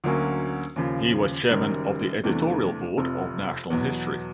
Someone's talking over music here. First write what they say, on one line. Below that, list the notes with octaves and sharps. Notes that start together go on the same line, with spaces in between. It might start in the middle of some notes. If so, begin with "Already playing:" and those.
He was chairman of the editorial board of "National History".
D2 D3 F#3 A#3 C#4
D#2 C#3 F3
F#1 F#2 D#3 G3
E2 C3 E3 A3 D4
F1 F2 C3
E2 B2 F#3 B3